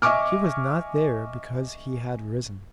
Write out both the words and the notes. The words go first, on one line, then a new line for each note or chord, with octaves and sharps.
He was not there because he had risen.
D#5 E5 G#5 C#6 D6 F6